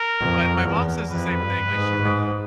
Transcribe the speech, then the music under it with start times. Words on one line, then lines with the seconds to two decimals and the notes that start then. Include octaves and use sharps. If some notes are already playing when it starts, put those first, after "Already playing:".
But my mom says the same thing, like, she would
Already playing: A#4
0.19 F2
0.65 E2
1.11 F2 B4
1.41 G2
1.72 G#2
2.02 G#2